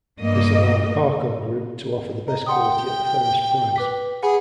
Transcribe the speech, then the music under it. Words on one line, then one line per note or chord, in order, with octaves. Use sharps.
This allowed Arcor Group to offer the best quality at the fairest price.
G2 A#3 D#5
D#5 A#5
F#5 G5 C6 D#6
B4 D6 B6
G#4 F#5 G#5 B5